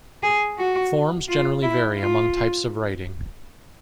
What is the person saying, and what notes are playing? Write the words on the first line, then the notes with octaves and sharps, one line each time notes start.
Forms generally vary among types of writing.
G#4
F#4
F4
E4
F4